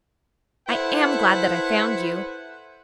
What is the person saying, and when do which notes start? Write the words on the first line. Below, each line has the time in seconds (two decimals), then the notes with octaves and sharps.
I am glad that I found you.
0.67 E4 A4 B4 C5 F#5